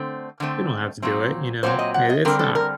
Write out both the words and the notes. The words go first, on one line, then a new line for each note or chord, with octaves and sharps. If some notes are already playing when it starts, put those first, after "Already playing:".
We don't have to do it." You know? It, it's not,
Already playing: D3 A3 C4
D3 A3 C4
A#2 F#3 C4
A#2 F#3 C4 C5
D#5
F#5
D#5
D3 G3 C4 A#4
A4
A#4